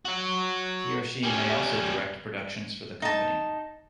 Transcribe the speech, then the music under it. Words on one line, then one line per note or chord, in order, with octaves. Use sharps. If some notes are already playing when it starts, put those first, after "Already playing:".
He or she may also direct productions for the company.
F#4 C#5
G3 C#4
D#4 A5